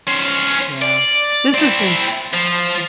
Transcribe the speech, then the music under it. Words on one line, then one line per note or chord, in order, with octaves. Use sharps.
Yeah, this has been s
C#4 C5
D5
C4 E4
F3